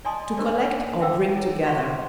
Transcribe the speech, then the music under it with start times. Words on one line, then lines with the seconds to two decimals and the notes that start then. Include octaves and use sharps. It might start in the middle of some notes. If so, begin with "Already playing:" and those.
To collect or bring together.
0.05 D5 D#5 G#5 A5 C6 D#6
0.37 D4 G4 A#4 C5 D5 D#5
0.61 C#5 D5
1.00 E5 F#5 G5 D6 E6
1.35 E4 G#4 C#5
1.66 C#5 F5 F#5 C6 C#6